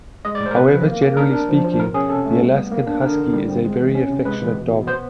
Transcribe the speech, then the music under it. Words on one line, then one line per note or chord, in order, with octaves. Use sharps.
However, generally speaking, the Alaskan Husky is a very affectionate dog.
G#3 D#5
D5
A2
C5
A#4
C3 B4
F3
A#3
A#3
D4 A#4
D4
F3
F3
B2 A#4
C#4 G#4
C3 A4
A3
G3
B3
A#3
D4
D3 A#4
D3
G3
C4
G#3
E3
C#4
C3
G#3 B4
E3
B2
B2
B3 C5